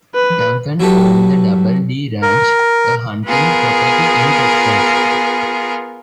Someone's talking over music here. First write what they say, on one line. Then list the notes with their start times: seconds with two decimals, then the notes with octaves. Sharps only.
Duncan owned the Double D Ranch, a hunting property in Texas.
0.15 B4
0.80 F#3 E4 F#4 G4 A4 B4
2.22 A#4
3.25 B3 F4 G#4 A#4